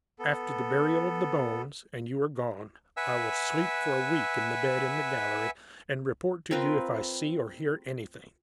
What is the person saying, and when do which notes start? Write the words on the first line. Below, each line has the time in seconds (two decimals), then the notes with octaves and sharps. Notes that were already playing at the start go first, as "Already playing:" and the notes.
After the burial of the bones, and you are gone, I will sleep for a week in the bed in the gallery, and report to you if I see or hear anything.
0.19 B3 A4
2.97 B4 E5 F#5 G#5 E6
6.51 C4 F4 A#4 B4